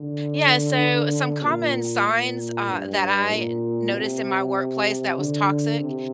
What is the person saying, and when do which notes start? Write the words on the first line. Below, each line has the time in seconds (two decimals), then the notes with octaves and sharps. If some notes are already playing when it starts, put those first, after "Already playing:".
Yeah, so some common signs, uh, that I noticed in my workplace that was toxic
Already playing: D3
1.43 A#2
2.05 A#2
2.68 G2
3.30 A#2
3.93 C3
5.17 D3
5.80 C3